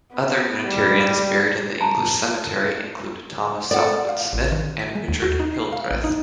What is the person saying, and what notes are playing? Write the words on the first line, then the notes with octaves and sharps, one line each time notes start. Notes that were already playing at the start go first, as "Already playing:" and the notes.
Other Unitarians buried in the English Cemetery include Thomas Southwood Smith and Richard Hildreth.
B3
G3
A5 A#5
A4 D5 F#5
F5
A1
D#3
B6
G#3
D#2
F#4
D#4
C7
F5
A#1
D#4